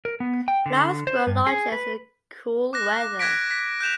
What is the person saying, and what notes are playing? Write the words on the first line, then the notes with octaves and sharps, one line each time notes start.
Flowers grow largest in the cool weather.
A#4
B3
G5
D3
C5
G2
G#4
B4
D6 F#6 A#6
F#6 G#6 A#6 B6 D7
B6
F#6 G6 E7 F7